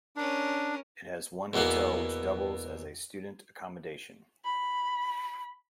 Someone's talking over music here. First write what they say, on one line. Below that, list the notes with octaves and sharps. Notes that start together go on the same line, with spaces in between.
It has one hotel which doubles as a student accommodation.
C#4 D4 A#4
E2 B2 E3 A#3 B3
B5